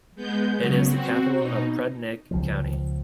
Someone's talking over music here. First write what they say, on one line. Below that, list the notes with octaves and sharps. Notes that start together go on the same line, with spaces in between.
It is the capital of Prudnik County.
G#3 B3 G6
C#3 F#3 B3
C4 F#4
B2 D#4
C#2 F3